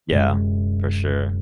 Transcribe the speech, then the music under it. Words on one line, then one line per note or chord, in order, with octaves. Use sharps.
Yeah, for sure.
D1 F#2 C3 G#3